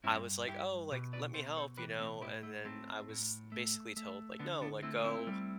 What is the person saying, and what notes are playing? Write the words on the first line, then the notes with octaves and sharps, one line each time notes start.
I was like, "Oh," like, "let me help." You know? And then I was basically told, like, "No," like, "Go
G2 C4 E4
G2 E4 G4
B2 G4 B4
B4 D5
B2 A4 C5
A4 C5
E3 G4 B4
A3 C4
A2 E4 G4
A3
A2 A3 C4
A2
A3
A3
D3 B3 D4
B3 D4
A3 C4 E4
F4
C4 E4
G3